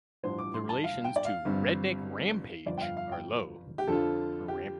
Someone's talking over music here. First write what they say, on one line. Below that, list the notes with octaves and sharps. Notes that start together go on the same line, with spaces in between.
The relations to "Redneck Rampage" are low.
A1 G2 F3 D4 C5
D6
C6
A5
F5
G5
D5
F5
G1 G2 G3 C4
G1 F2 F3 D5
G5
F5
F5
G5
G4
F2 D3 F3 D4 F4 A4
G4